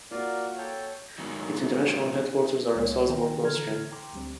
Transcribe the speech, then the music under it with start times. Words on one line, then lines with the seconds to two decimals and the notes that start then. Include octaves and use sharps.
Its international headquarters are in Salzburg, Austria.
0.11 A#3 F4 F#4 A#4 D5
0.58 A4 C#5 G5
1.18 G#2 B2 D#3 F#3
2.75 C#2 G#3 C#5
3.08 B1 D#3 F4 G5 A#5
3.42 D3 E3 A4 A#5 F6 G#6
3.92 G5 A#5 C6 D6
4.13 D2 G3 C4